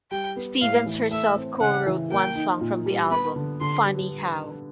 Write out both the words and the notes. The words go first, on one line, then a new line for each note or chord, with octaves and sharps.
Stevens herself co-wrote one song from the album; "Funny How".
G3 G5
B3
A2 F5
E3
A3 E5
C4
C#3 F#5
E3
A#3 G5
D#4
A#2
G3
B3 B5
D3
D3 C6
G3